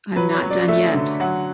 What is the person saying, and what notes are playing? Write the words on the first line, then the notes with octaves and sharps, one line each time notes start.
I'm not done yet.
F#3 B4
C#5
F#3
D5
A3 E5
D3
F#3 F#5